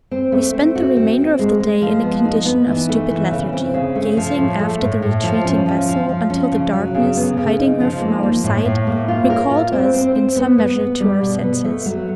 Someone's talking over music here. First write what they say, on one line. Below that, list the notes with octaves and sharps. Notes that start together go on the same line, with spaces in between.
WE spent the remainder of the day in a condition of stupid lethargy, gazing after the retreating vessel until the darkness, hiding her from our sight, recalled us in some measure to our senses.
C4
A3
C4
F#4
C4
C4
G#3
G#3
F3
B3
D#4
B3
E3
A3
E3
C#3
C4
C#3
A3
F3
A2
A3
A2
A2
F3
C#4
F3
F3
F3
C#4
C#3
F#3
C#3
B3
C#3
D#4
F3
A#3
A#3
A2
A2
A#3
F4
A#4
F4
C4
C4
C4
B3
B3
B3
G3
B2
B3
A3
F#3